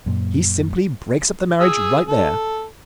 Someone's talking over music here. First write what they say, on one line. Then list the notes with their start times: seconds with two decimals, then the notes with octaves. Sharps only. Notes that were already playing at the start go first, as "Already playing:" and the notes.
He simply breaks up the marriage right there.
0.06 F#2 A#2
1.60 G#4 D#6 E6
2.07 A4